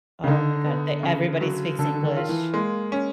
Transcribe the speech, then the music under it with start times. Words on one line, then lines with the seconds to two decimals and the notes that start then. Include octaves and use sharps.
Oh my god. Th everybody speaks English.
0.24 C#3
0.27 D3 D#4
0.66 B3
1.03 C#3
1.41 F#3
1.79 D3 A4
2.04 D#3
2.16 F4
2.29 E3
2.54 G#3 A#3
2.92 C#4